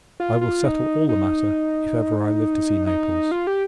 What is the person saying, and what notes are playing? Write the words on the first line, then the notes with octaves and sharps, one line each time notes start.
I will settle all the matter, if ever I live to see Naples.
F4
F4
D#4
D#4
D#4
F4
G4